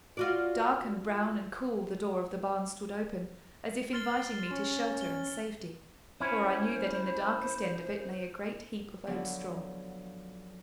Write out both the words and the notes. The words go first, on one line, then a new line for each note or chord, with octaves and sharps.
Dark and brown and cool the door of the barn stood open, as if inviting me to shelter and safety; for I knew that in the darkest end of it lay a great heap of oat-straw.
F4 F#4 D5
C6 F6 A6 G7
C#4
G7
C#4 E4 C5
D3 F3 F#3 B3